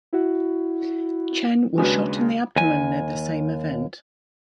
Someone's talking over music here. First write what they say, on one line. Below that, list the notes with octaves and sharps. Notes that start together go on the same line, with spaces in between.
Chen was shot in the abdomen at the same event.
E4 F#4
D#2 C#3 G#3 D4 F#4 B4 G#5
D#2 G#5